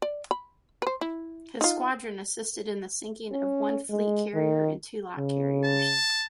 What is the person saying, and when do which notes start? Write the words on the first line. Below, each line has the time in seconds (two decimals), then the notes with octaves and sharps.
His squadron assisted in the sinking of one fleet carrier and two light carriers.
0.02 D5
0.31 B5
0.82 B4 C5
1.01 E4
1.61 D#4 F4
3.32 C#4
3.90 G#3
4.34 D#3
5.18 C#3
5.65 A5